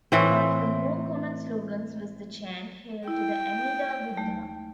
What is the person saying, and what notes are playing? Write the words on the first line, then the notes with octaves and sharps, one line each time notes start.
One of the more common slogans was the chant, Hail to the Amida Buddha!
A2 E3 C4
E4 G5
D#2 G#3 A3